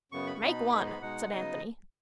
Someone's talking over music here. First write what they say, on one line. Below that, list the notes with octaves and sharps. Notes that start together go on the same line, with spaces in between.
"Make one," said Anthony.
F#2 C#3 B3 C#6
B5
C#6
B2 B3 D#4 B5
G#2 G#3 B3 D#4 B5
B5
B2 G#3 D#4 F#5
C#3 F#3 B3 D#4 D#5